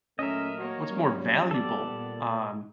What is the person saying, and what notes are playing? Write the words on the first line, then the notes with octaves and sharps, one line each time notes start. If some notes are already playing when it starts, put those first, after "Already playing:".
what's more valuable, um
A#2 F#3 A3 C#4 A#4 D#5 E5
A#3 F#4 C#5
F#3 G3 C#4
B3 A4 D5
A#2